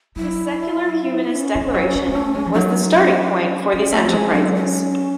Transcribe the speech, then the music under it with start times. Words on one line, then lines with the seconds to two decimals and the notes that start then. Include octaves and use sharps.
His Secular Humanist Declaration was the starting point for these enterprises.
0.16 F#3 E4
1.35 C#4
1.55 E3
1.67 E3
1.74 F#3
1.95 G#3
2.08 G#3
2.15 A3
2.35 G#3
2.46 E3
2.53 F#3 D#4
2.69 D#4
2.74 C#4
2.86 D#4
2.94 C#4
3.73 F#3 C#4
3.92 A3
4.03 F#3 C4
4.13 G#3
4.32 F#3 C#4
4.43 D#4
4.55 C#4